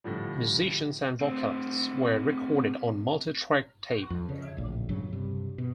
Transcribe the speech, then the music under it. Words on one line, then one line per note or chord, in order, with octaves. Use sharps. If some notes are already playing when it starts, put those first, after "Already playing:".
Musicians and vocalists were recorded on multi-track tape.
A2 D3 F3 G3
A2 C4
F2
C#3
D1 A#1 A2
G1 G2 C#3 F#3
G2 C3
B2